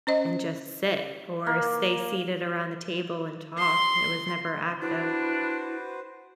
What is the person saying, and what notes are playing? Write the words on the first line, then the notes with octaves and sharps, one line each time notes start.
and just sit or stay seated around the table and talk, it was never active.
C#4 C5 D#5
A#3
C6
D4 E4 F#4 B4 C5